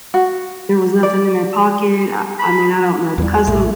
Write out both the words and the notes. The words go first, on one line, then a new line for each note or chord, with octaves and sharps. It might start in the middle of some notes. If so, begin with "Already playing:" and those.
there was nothing in their pocket, uh, I mean, I don't know the cousin
F#4
D5
B5
E2 G3
A#1 A2 A3